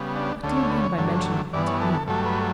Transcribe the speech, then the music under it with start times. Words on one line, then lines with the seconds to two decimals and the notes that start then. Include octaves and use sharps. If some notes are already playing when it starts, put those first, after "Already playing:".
"What do you mean by mentioning him to me?"
Already playing: C#3 G3 B3
0.16 D4
0.43 D2 D3 A3 C#4
0.57 C#5
0.70 B4
0.84 C#5
0.98 G2 D3 F#3 A3
1.53 G2 E3 B3 D5
1.67 C#5
1.81 A4
1.94 A4
2.08 G2 F#3 A3 A4
2.26 B4